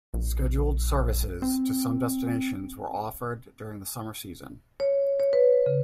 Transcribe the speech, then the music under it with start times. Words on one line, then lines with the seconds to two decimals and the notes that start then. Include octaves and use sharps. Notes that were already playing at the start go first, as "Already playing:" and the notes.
Scheduled services to some destinations were offered during the summer season.
0.14 A#1
1.42 C4
4.80 C#5
5.20 C#5
5.33 B4
5.66 C#3